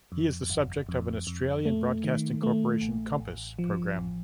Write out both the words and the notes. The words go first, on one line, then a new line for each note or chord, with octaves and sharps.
He is the subject of an Australian Broadcasting Corporation Compass program.
F2
G1
F2
F2
A3
D#3
A3
A1
A1
F3
A1